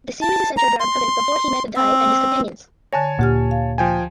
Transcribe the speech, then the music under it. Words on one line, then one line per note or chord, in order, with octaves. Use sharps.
The series is centered around Avan before he met Dai and his companions.
A5
A#5
C6
C4
D3 C#5 G#5 A5 A#6
D2 A#2 G4 F6
F5
F3 G5 G#5